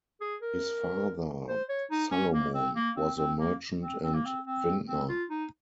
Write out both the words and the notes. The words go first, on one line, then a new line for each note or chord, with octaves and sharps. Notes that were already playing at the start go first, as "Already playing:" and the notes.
His father, Salomon, was a merchant and vintner.
G#4
A#4
C5
C#5
D#4
C#4
A#3
C4
A#3
C4
C4
A#3
C4
C4
A#3
C4
C4
C4
F4
D#4